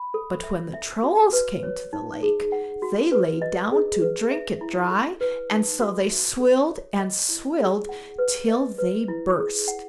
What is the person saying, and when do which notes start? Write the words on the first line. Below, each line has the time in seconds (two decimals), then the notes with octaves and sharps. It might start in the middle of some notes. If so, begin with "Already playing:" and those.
But when the Trolls came to the lake, they lay down to drink it dry; and so they swilled and swilled till they burst.
Already playing: B5
0.14 A4
0.44 E5
0.74 E5
1.03 F#4
1.33 B4
1.63 C#5
1.93 D#4
2.23 G#4
2.52 F#5
2.82 F#4
3.12 B4
3.42 D#5
3.72 G#4
4.01 B4
4.31 E5
4.61 E4
4.91 A4
5.21 B4
5.50 D#4
5.80 F#4
6.10 E5
6.40 A4
6.69 C#5
6.99 D#5
7.29 E4
7.59 G#4
7.89 F#5
8.18 B4
8.48 D#5
8.78 B4
9.08 E4
9.38 G#4
9.68 F#5